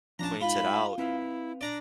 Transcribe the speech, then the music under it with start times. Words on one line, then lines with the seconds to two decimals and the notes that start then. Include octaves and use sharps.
points it out,
0.19 F3 C#4 D4 A5 A#5
0.41 G#3 D#4 F4 B5
0.98 C4 E4 B4 F5
1.61 D4 D5 A#5